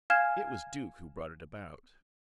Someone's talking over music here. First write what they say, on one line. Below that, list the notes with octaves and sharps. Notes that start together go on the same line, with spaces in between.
It was Duke who brought it about.
F5 G#5 F6 G#6 E7